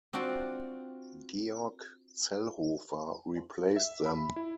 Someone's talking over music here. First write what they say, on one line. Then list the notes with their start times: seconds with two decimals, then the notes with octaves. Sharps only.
Georg Zellhofer replaced them.
0.13 C4 D4 F4 F#4 D5
3.76 E5
4.06 B5
4.36 E4